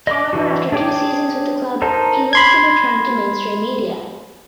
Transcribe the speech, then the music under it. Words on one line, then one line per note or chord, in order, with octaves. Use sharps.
However after two seasons with the club he left and returned to mainstream media.
D#5 D6
E3 D4 F#4
D4 G#4 C#5 G5 D6
D#4 A#4 C5 A5
B5 C6 G#6